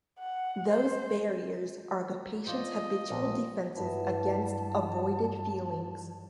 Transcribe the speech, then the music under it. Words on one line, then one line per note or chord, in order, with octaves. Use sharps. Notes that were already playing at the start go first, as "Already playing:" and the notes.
Those barriers are the patient's habitual defences against avoided feelings.
F#5
C5
F3 D4 C5 D#5
A#1 A#2
G2 E3 F#3 A5